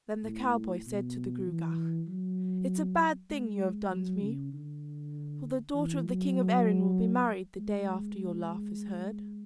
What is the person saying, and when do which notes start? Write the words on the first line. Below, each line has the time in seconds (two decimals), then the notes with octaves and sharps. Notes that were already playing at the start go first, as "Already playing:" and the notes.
Then the cowboy said to the Gruagach: "It's a bad thing you have done to me, for the daughter of the king of Erin will be married the day after your laugh is heard."
0.24 A2
0.86 B2
1.47 E3
2.08 F#3
3.30 G#3
3.91 F#3
4.21 C#3
4.53 D3
5.75 E3
6.05 F#3
7.58 G#3